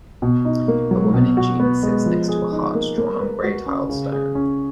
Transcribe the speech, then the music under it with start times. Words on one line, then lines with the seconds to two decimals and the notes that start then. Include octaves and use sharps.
A woman in jeans sits next to a heart drawn on gray tiled stone.
0.22 B2
0.45 D#4
0.68 A#3
0.91 F#3
1.14 B2
1.37 F#4
1.60 B3
1.83 G#3
2.06 F3
2.29 G#4
2.52 D#4
2.75 A#3
2.98 A#3
3.20 B4
3.43 F#4
3.66 C#4
3.89 C#3
4.12 G#4
4.35 C#4